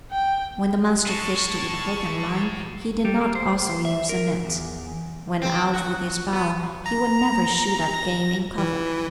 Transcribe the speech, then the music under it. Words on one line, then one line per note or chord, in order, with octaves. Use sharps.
When the Master fished with hook and line, he did not also use a net. When out with his bow, he would never shoot at game in cover.
G5
A2 A5 C#6
G3
A#3
C5
E5
A#4
E2
C4
F#4
B3
A#5
A#6
E3